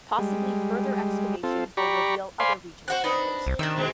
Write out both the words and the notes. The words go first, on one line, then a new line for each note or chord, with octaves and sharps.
Possibly further excavations will reveal other regional centres.
G3 G#3
C4 F4 A4
G4 D5 A#5 B5 C#6
C5 D5 F5 G#5 B5 C6
C4 F#4 C5 F#5 F#6
C4 D4 D#4 B4
C2
C3 D#3 D4 C5 E6
B2 G#3 C4